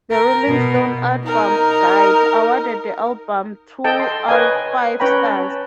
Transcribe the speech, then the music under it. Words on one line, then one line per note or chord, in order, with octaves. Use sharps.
"The Rolling Stone Album Guide" awarded the album two out of five stars.
A#4
B2
D#4 A#4
A4 D#5 G5 A5
C6
B4 C#5 D#5 G5 G#5 A#5
C#4 B4 C#5 G5 A#5 B5
A5